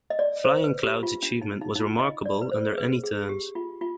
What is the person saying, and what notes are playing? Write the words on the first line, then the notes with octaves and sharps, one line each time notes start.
"Flying Cloud"'s achievement was remarkable under any terms.
D#5
D5
C5
B4
G4
F4
D4
D#4
D#4
D#4
F4
D#5
D5
B4
C5
G#4
B4
G#4
G4
F4
F4